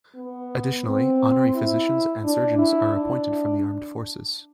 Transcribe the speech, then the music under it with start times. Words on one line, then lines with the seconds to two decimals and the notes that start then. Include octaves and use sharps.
Additionally, honorary physicians and surgeons are appointed from the armed forces.
0.15 B3
0.85 C4
1.55 E4
2.24 D4
2.59 E4
2.94 D4